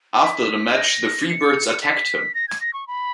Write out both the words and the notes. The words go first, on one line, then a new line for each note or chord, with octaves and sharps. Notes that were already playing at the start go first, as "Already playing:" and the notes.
After the match, the Freebirds attacked him.
B6
A#6
C#7
C#7
B6
A#6
G#6
A#6
C#6
B5